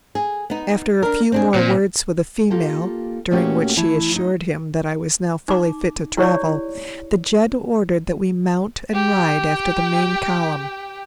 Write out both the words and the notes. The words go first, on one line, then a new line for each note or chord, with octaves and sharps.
After a few more words with the female, during which she assured him that I was now fully fit to travel, the jed ordered that we mount and ride after the main column.
G#4
B3 D#4
D4 A#4
C4 D4 G#4
A#2 C4
A#3 F4 G4 A4
A#2 A3 A#3 C#4 F#4 G4
E3 E4 A5
F#3 D#4
D#4 D6
E4 G4 C#5 D5
G4 G5